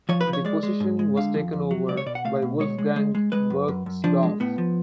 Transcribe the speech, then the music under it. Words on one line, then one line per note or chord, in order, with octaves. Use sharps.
The position was taken over by Wolfgang Bergsdorf.
F3 C#5
B4
F3
C#5
G#3 D5
G#3
G#2
G#3
D3 F5
F2
F2
F#3
C#2 D5
C#5
B2 D5
F#5
A3 F5
B2
G#3 C#5
G#3
G#3
G#3
G#3 B4
F#2
F#2
F#2
F3 D4
G#3
A2 B3
F3